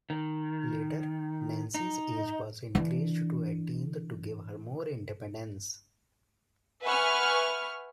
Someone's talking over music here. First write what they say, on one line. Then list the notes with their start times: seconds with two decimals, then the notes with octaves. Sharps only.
Later, Nancy's age was increased to eighteen to give her more independence.
0.10 D#3
1.75 D#4
2.75 E3 D4
6.83 B4 E5 F#5 G#5 C#6 F6